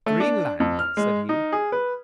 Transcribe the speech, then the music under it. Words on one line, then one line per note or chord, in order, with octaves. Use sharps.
"Greenland!" said he.
A3
D4
F2
F6
G#3
D#4
G#4
B4